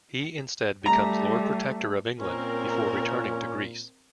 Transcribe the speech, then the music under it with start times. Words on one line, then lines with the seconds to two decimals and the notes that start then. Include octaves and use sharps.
He instead becomes Lord Protector of England before returning to Greece.
0.86 G3 A3 A#5
2.19 A#2 C4 C#4 A#4